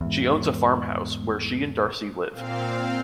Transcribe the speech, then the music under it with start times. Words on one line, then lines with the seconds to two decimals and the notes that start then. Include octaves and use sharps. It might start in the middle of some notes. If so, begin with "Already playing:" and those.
She owns a farm house where she and Darcy live.
0.01 E2 G#2
2.33 A#2 C4 F5